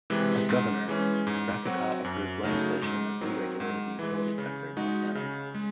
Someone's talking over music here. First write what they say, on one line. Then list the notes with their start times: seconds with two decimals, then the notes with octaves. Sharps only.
As governor, Racicot approved legislation that deregulated the utility sector in Montana.
0.10 C3 E3 G#3
0.49 G#2
0.88 E3 G#3 C#4
1.27 G#2
1.65 F#3 C4 F#4
2.05 F#2
2.43 C#3 F#3 A3 D#4
2.82 G#2
3.21 D#3 F#3 C4
3.60 G#2
3.99 E3 G#3
4.38 C#3
4.77 G#3 D#4 F#4
5.15 C#3
5.55 G#3